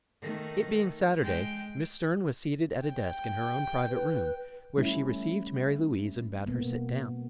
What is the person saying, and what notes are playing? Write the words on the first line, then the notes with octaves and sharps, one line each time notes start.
It being Saturday, Miss Stearne was seated at a desk in her own private room, where she received Mary Louise and bade her sit down.
D#3 A3
G#3 G5
G5
B4
G3 A3 C#4 E4
B2 A#3 B3